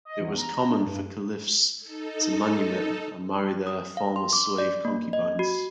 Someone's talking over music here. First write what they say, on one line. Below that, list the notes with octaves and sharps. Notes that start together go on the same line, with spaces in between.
It was common for Caliphs to manumit and marry their former slave concubines.
D#5
E2
A#5
A#5
D4
G2
D#4 A4
D#6
F5
C6
D6
D5
A#3
D#5
F#4